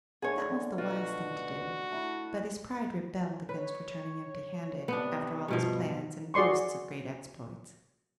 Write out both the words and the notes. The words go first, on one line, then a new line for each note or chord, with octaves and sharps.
That was the wise thing to do, but his pride rebelled against returning empty-handed after all his plans and boasts of great exploits.
D3 A3 G#4 C#5
B2 F4 F#4
A3 E4
B4 C#5
C3 B3 D4
G2 B2 F3
F#4 G#4 D5 C6 C#6